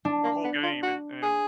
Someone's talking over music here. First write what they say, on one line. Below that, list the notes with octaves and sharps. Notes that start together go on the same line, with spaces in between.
the whole game and and
D4
A#3
B3
F4
F#4
G#4